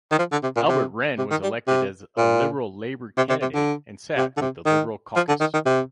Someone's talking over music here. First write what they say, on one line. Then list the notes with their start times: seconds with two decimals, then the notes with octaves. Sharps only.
Albert Wren was elected as a Liberal-Labour candidate and sat with the Liberal caucus.
0.11 D#3
0.19 F3
0.32 D3
0.43 C3
0.56 A#2
0.69 C3
1.18 C3
1.31 D#3
1.43 G3
1.68 C3
2.17 A#2
3.17 C3
3.29 C3
3.42 C3
3.54 D3
4.17 C3
4.37 D3
4.41 C3
4.66 D#3
5.16 F3
5.28 D3
5.40 D#3
5.53 D#3
5.66 C3